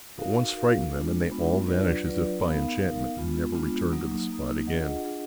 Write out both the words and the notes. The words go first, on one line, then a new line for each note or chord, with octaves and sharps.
But once frighten them and they all vanish as if by enchantment, and never return to the spot again.
D#4 F#4 A#4 F5
D#4 F#4 A#4 F5
G#3 B3 D4 F4
G#3 B3 D4 F4
F#3 D4 F4 B4 D5
F#3 D4 F4 B4 D5
B3 D#4 A#4 F5
B3 D#4 A#4 F5
G#3 B3 D4 F4
G#3 B3 D4 F4
F#3 A#3 D#4
F#3 A#3 D#4
D4 F4 G#4 D#5 F#5
D4 F4 G#4 D#5 F#5